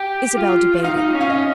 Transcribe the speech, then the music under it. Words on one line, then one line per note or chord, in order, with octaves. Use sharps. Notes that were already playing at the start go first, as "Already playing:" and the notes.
Isabel debated.
Already playing: G4 G5
F4
D#4 F5
C#4
F5
D#5